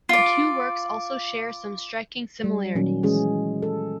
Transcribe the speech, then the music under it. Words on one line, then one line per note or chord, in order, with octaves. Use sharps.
The two works also share some striking similarities.
F4 D5
G3
A#2 D#3 F#3 C#4
E3 G#3 C#4 G#4
A4